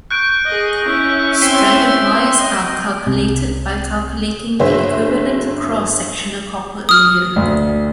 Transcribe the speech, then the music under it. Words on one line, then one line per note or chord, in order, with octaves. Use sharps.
Stranded wires are calculated by calculating the equivalent cross sectional copper area.
C#6 F#6 G6 D7
G#4 D#5
C#4 E4
C4 E5 C6
D#5
C2 C3
G1 F#3 G#4 B4 C5 E5
D#6 F6
D2